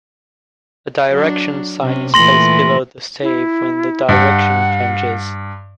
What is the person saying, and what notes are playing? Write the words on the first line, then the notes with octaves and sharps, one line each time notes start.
A direction sign is placed below the stave when the direction changes.
F#3 D4
C3 C#4
A#2 E3 A3 C6 A#6 F#7
E4
G2 F#5